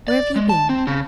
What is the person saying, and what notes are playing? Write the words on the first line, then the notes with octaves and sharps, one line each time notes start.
Where have you been?'
D5
G#3
A5
C4
C#3